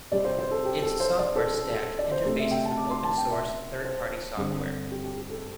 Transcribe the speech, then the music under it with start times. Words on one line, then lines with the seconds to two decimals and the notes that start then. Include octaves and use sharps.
Its software stack interfaces with open source third-party software.
0.12 C3 G3 C4 D5
0.25 C5
0.39 C5
0.51 A4
0.65 G4
0.82 A4
1.00 C5
1.19 D5
1.36 A4
1.54 A4
1.71 A4
1.99 D5
2.11 C5
2.25 C3 A3 C4
2.39 E5
2.51 G5
2.65 A5
2.77 D6
2.91 C6
3.04 A5
3.18 G5
3.30 E5
3.84 C5
4.37 G2 D3 G3 C4
4.91 G4
5.04 G4
5.17 G4
5.30 A4